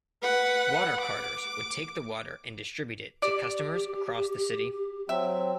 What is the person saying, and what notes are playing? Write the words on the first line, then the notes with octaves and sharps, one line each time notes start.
Water carters would take the water and distribute it to customers across the city.
B4 F#5
D6
G4 D5
F#3 C4 E5